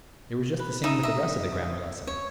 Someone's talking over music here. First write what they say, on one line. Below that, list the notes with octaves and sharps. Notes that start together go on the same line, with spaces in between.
It was just the same with the rest of the grammar lesson.
B4
D#4 E5 D#6
D#5 E5
C#5